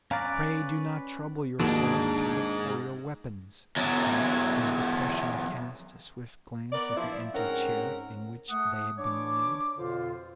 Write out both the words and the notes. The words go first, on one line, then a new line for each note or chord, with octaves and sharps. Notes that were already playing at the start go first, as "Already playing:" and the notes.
"Pray do not trouble yourself to look for your weapons," he said, as the Prussian cast a swift glance at the empty chair in which they had been laid.
C#4 B4 D5 F5 A#5
D#2 E3 G#3 D4 D#4 F#4 E7
E2 F#3
B3 A#4 D5
F3 E4
G#2 C4 C#4 A#4 F#5
A3 F#5 D#6
E3 D4 C#5 D5 D6
F2 B2 D3 E3 F4 C5